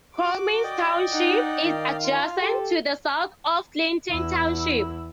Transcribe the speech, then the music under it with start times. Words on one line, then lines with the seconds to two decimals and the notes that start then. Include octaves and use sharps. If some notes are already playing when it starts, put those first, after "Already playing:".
Comins Township is adjacent to the south of Clinton Township.
0.16 F#4 D6
0.64 D5 D#5 G5
1.12 D#4 F#5
1.65 D#3 F5
2.04 F4
2.41 G4 A4
4.11 E2 E4